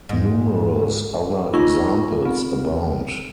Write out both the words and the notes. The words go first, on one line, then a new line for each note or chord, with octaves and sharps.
Numerous other examples abound.
G#2
D#4 F4 C#6
C4